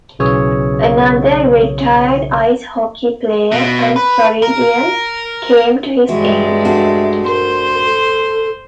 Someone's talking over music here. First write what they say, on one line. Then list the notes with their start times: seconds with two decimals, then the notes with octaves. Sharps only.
Another retired ice hockey player and Floridian came to his aid.
0.19 B1 C#3 E3 C#5 D#6 E6
3.52 B2
3.96 B4
4.42 A#4
6.08 G2 E3 G#3 F#4 E5
6.65 A3 D4 F#4
7.27 A#4 C5
7.81 A4